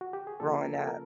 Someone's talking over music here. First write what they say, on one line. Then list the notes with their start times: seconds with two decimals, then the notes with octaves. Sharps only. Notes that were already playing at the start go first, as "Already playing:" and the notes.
growing up.
0.01 F#4
0.13 G4
0.27 G#4
0.40 C#3 F3 A#3 C#4 F4 A4
0.58 A#4
0.76 A4
0.87 A#4